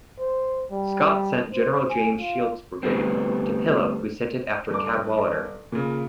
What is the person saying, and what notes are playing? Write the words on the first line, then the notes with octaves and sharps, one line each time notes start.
Scott sent General James Shields brigade to Pillow who sent it after Cadwalader.
C5
G3
C5
G#5
F4
D3 G3 A3 B3 C4
G1 D6
A#2 C#3